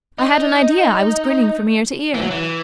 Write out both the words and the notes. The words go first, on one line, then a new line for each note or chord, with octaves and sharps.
"I had an idea I was grinning from ear to ear."
D#4
E3
F#3
E3